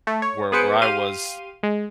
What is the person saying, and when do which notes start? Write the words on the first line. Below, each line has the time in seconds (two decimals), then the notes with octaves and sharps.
where where I was,
0.07 A3
0.22 C#5
0.52 B3 G#4 B4 C5 C#7 D7
0.82 G4 F5 C6 D#7
1.63 G#3